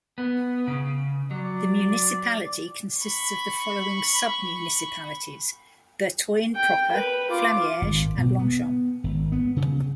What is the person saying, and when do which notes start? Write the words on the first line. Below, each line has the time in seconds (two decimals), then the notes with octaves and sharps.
The municipality consists of the following sub-municipalities: Bertogne proper, Flamierge, and Longchamps.
0.18 B3
0.67 C#3
1.31 F#3 D5
2.99 B5 C#6
6.55 G5
6.91 B4
7.30 F4 D6
7.82 G#1
8.18 B2
8.39 B3
9.04 G#1
9.32 B3
9.57 C#3